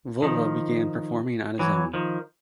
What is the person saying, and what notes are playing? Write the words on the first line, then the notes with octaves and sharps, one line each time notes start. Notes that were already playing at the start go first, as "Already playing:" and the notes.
Vova began performing on his own.
D#3 F3
E3 F#3
D#3 F3